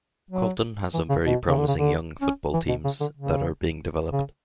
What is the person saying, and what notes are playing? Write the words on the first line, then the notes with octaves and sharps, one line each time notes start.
Colton has some very promising young football teams that are being developed.
F#3
E3
C#3
B2
C#3
D3
C#3
D3
C#4
E3
B2
C#3
D3
C#3
C#3